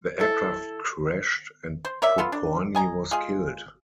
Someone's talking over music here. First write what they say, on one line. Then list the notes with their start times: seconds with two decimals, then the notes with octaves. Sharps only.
The aircraft crashed, and Pokorni was killed.
0.20 E4 A4
1.85 C5
2.02 A#4 C#5 D5 E5
2.18 B3 F4 A4
2.32 D4
2.75 D#5 G#5 A#5
3.11 G#3 F4 G#4